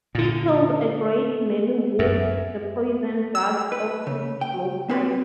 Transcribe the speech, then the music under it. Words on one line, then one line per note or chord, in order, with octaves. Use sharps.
He killed a great many with the poisoned darts of his blowpipe.
A#2 D3
F#2 E5
E6
B4
C#3
G5
C4 B4 C#5